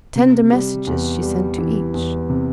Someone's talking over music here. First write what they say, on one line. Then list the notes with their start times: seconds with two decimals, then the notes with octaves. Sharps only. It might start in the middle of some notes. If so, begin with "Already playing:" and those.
Tender messages she sent to each.
0.16 C3
0.52 G3
0.87 E2
1.23 G3
1.58 E3
1.94 E2
2.30 C3